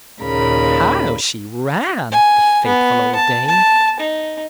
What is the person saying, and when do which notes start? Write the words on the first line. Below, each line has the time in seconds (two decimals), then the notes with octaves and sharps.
How she ran, the faithful old dame!
0.21 D#2 A#2 C#3 A#4 B5
2.11 G#5
2.65 B3
3.15 A5
3.47 A5
3.99 D#4